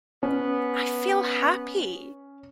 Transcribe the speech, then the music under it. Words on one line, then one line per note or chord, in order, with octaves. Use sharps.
I feel happy!
B3 C#4